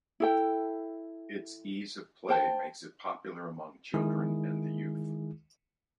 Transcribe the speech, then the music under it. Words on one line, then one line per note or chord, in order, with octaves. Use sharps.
Its ease of play makes it popular among children and the youth.
E4 A4 G5
C5 G5 A5
D#3 G#3 E4 G#4